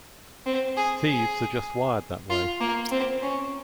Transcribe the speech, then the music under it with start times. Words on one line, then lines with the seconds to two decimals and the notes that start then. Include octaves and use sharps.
Thieves are just wired that way.
0.46 C4
0.77 G#4
1.07 G#4
2.30 F4
2.60 A#3
2.92 C4
3.22 C#4